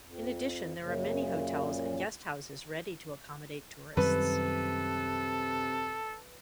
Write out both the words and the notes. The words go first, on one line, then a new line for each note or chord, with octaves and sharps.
In addition, there are many hotels and guest houses ready to accommodate tourists.
F2
F#2 A#2 C#3
F#2 C3 D#3 G3 A4 B4